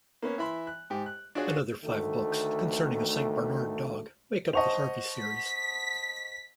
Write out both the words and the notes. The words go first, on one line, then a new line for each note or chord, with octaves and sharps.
Another five books concerning a Saint Bernard dog make up the "Harvey" series.
A#3 B3 C#4
E3 E5 B5 C6
F#6
G#2 G4
F#6
D4 F4 F#4 G#4 C#5
D2 D#3 A3
C5 D#5 F#5 A5 C#6 F7
B6